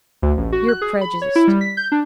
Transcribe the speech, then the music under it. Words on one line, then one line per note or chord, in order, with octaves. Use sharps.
"You're prejudiced."
D2
A1
F#4
F#6
G#4
B5
C#5
E4
G3
B6
G6
D4